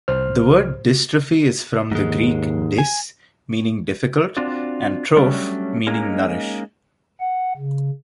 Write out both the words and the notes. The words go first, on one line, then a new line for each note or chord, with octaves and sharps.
The word "dystrophy" is from the Greek "dys", meaning "difficult" and "troph" meaning "nourish".
C2 C5 F6
D#2 G#2 G#3
G#5
C4 D4 F4 F#4 D5
F#3 G3 A3 C#4 D4
G#3 A#3 C#4 D#4
F#5
C#3